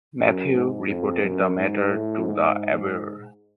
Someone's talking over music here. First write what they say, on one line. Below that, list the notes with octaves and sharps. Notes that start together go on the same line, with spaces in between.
Mathieu reported the matter to the Abwehr.
F#2
G#2
F2
F#2
G#2
A2
G#2